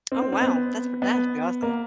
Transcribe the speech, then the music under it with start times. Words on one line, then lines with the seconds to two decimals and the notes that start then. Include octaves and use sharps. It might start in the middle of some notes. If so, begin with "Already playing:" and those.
Oh, wow. That's for that's really awesome.
0.12 C4
0.22 C4
0.32 C4
0.41 B3
1.02 B3
1.62 A#3